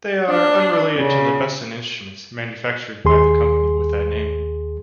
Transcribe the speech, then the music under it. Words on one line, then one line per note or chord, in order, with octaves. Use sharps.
They are unrelated to the Besson instruments manufactured by the company with that name.
D4
C#3
D#2 G#4 C6